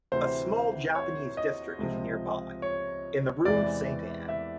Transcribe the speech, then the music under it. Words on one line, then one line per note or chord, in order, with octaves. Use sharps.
A small Japanese district is nearby, in the rue Sainte-Anne.
D2 C3 E3 C5
C#5
D#5
C#2 C3 F3
C#5
E2 C3 E3 G#3 D5
E5